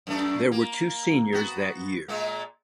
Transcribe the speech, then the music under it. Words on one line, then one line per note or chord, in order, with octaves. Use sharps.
There were two seniors that year.
F#2 A3 D4
A#3
B3 F#4
A#2 G#3 A#3